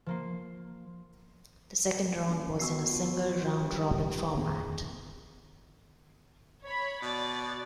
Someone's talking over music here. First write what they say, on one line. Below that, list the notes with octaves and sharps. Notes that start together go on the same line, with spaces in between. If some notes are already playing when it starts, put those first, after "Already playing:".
The second round was in a single round-robin format.
F3 A#3 C6
F#1
B2 C#6 E6 C7
F4
G2
D#1 F2 G#4 A#5
C#5 B5
B2 D5 A6